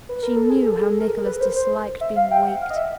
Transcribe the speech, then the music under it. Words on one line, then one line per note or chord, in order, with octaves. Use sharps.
She knew how Nicholas disliked being waked.
B4
A#4
A4
G#4
A4
G#4
A4
A#4
A#4
B4
C5
C5
E5
F5
G5
F#5
F5
D#5
E5